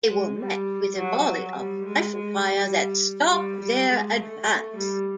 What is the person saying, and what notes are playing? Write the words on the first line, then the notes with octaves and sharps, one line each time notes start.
They were met with a volley of rifle-fire that stopped their advance.
G#3
G3
F#3
G3
G#3
G#3
G3
G3
G3
G#3
A3
A3
G3